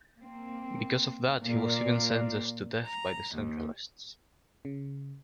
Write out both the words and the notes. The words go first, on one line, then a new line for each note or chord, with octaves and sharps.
Because of that he was even sentenced to death by the "Centralists".
A#3 C4
A#2 A#4 D5 F5
A#5
D#2
C#3